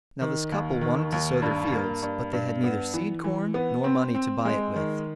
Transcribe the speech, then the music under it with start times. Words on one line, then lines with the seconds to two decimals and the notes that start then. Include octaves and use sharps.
Now this couple wanted to sow their fields, but they had neither seed-corn nor money to buy it with.
0.21 D#3
0.52 D#2
0.81 D#3
1.12 D#2
1.42 G2
1.73 A#3
2.03 G2
2.33 G2
2.64 B3
2.94 E3
3.24 E3
3.54 B3
3.84 C4
4.15 C4
4.45 G#3
4.76 D#3